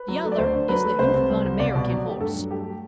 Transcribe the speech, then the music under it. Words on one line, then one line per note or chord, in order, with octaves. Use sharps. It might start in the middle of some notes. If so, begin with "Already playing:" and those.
The other is the hoof of an American horse.
Already playing: B4
F#3
A3
D5
D2 C5
D3
F#3 B4
A3
C2 C5
C3
G3
C2
C2 D5
B2
F#3
A3 G4
G2 A4
F#3
A3 G4